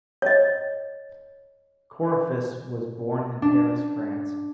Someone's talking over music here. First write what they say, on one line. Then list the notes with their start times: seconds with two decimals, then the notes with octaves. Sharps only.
Corraface was born in Paris, France.
0.22 C#5 D#5
3.42 D4